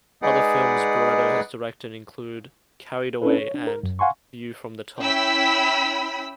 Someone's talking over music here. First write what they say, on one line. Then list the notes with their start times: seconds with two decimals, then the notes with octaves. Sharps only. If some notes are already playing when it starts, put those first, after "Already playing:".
Other films Barreto has directed films include "Carried Away" and "View from the Top".
0.22 G#3 D#4 G#4 B4 D5 F#5
3.22 C#4 D4 E4 A4 B4
3.38 C#5
3.54 D4
3.67 A#4
3.83 F#2
3.99 F5 F#5 G#5 C6 C#6
5.00 C#4 E4 G5 B5 E6 B6